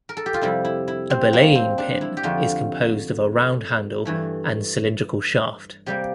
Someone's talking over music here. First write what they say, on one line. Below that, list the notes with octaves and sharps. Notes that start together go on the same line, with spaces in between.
A belaying pin is composed of a round handle and cylindrical shaft.
A#4
A4
G4
F4
F2 C3 G3 E4
E4
E4
C4
A#3
C4
D4
E4
G4
F2 D3 A3 F4
G2 E3 A3
C3 G3 A#3 G4